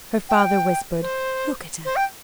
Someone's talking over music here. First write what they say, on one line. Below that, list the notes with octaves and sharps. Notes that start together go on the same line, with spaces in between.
Her father whispered, "Look at her!"
G5
C5
C5
G5